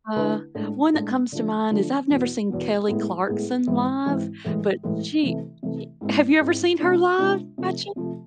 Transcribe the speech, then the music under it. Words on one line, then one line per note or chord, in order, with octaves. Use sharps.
uh, one that comes to mind is I've never seen Kelly Clarkson live, but she she Have you ever seen her live, by chance?
D3 A3 E4 B4
A2 G#3 D4
A2 G#3 D4
D3 F3 A3
D3 F3 A3
E2 B2 B3
E2 B2 B3
A2 G#3 B3 E4 G#4
A2 G#3 B3 E4 G#4
G#2 E3 G#3 C4 E4
G#2 E3 G#3 C4 E4
A2 E3 G#3
A2 E3 G#3
C3 E3 A3
C3 E3 A3
G#2 G#3 C4 E4
G#2 G#3 C4 E4
C3 G#3 D4 F4
C3 G#3 D4 F4
C3 F3 A3
C3 F3 A3